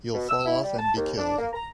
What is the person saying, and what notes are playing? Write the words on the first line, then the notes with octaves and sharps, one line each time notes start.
You’ll fall off and be killed.
B2
E6
E4
G3
A5
D#2
D4
A#3
A#5